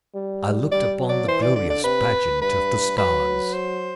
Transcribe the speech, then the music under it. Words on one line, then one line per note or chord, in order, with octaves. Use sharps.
I looked upon the glorious pageant of the stars.
G3
G3 D5
F#3
D5
E3 C5
D5
D3 D5
D5
C3 B4
G2 B4
F#3 B4
C5